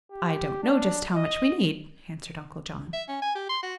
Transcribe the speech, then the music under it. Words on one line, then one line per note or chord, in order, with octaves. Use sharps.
"I don't know just how much we need," answered Uncle John.
G4
D4
D#5
E5
C#4
G#5
G4
C6
F#4